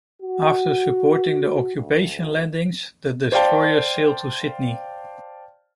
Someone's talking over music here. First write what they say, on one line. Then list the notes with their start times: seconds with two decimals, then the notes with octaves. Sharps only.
After supporting the occupation landings, the destroyer sailed to Sydney.
0.21 F#4
1.76 D2
3.32 C5 D5 F5 G5 A5